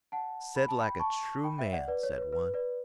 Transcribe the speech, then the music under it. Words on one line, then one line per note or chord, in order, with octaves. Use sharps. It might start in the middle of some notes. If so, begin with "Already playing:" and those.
"Said like a true man," said one.
F#5 A5
B5
A5
G5 B5
A5 C#6
G5 B5
E5 G5
D5 F#5
B4 D5
C#5
B4
B4
B4 D5